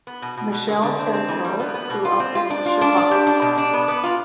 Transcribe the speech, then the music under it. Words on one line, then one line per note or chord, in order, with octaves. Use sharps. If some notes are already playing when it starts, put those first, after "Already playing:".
Michelle Tesoro grew up in Chicago.
B3
B2
B2
B2
D3
D3
C4
C4
E3
G3
B3
B3
B2
F4
C4
F4
D4
F4
D4
D4
G4
D4
B2
D4
B3
B3
F4